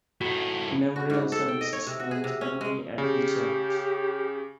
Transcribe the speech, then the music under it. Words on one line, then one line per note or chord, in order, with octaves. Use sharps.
A memorial service is held annually at the church.
A2 D#4 F#4
F#4
G#2
A4
G5
D#5
C#5
C3
F#4
G#4
C3
C#4
G#3
C#3 G4